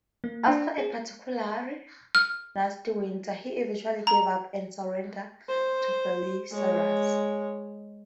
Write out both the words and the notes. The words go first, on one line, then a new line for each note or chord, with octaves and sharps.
After a particularly nasty winter, he eventually gave up and surrendered to Belisarius.
A#3
D4
G#4
F6
A#5
C5
G#3 C#5